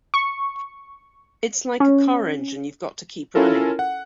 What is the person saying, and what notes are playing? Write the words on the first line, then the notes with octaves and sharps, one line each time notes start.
It's like a car engine you've got to keep running.
C#6
C#4
C#4 E4 F4 A4 A#4
F#5